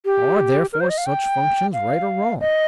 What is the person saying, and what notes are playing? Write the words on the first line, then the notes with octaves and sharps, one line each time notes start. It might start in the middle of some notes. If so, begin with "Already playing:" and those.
Are, therefore, such functions right or wrong?
G4
A#4
C5
D#5
F5
G5
F5
D#5